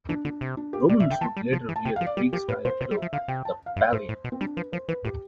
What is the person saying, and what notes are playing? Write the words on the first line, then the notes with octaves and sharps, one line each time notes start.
Romans would later wear the Greek-styled cloak, the "pallium".
E3 D4
D3 D4
C3
D4
G4
C3 D5
B2 E5
D3 G5
E3 A5
G3
F3
E3
A5
C3 G5
F3 F5
D5
G3 G4
F3 G4
A2 B4
B2 C5
C3 C5
G3
E5
F3
D3 F5
C3 G5
A5
F5
G2 E5
A2 C5
A2
B2
C4
G3 D4
F3 B4
F3 C5
E3 B4
A2 G4